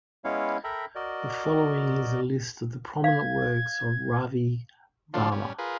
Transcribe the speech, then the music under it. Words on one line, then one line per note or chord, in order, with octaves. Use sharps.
The following is a list of the prominent works of Ravi Varma.
G#3 B3 C#4 E4 C#5 F5
A4 A#4 E5 G5 A#5 B5
F#4 A#4 D5 D#5
F5 G#6
D3 F3 F#3 D4 F4
G3 C#4
F4 G#4 A#4 B4